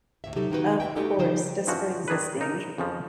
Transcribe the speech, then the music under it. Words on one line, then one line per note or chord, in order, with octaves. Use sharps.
Of course, just for existing.
D2 A2 E5
C3 F#3 D#4 G4 A4
D#3 A#3 B3 D#4 F#4 B4
D5 E5 G5
A3 D4 D#4 F#4 G4 A4
C#3 F3 G3 D#4 C5 G5
G2 E3 F3 C#4 F#4
D#3 D4 G#4 A#4 B4
D#4 A#4
F2 C#3 F3